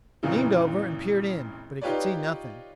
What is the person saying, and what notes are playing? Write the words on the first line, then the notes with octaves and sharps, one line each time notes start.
He leaned over and peered in, but he could see nothing.
G#1 F2 A#2 C#3 E3
D#4 F4 G4 B4 C#5 D5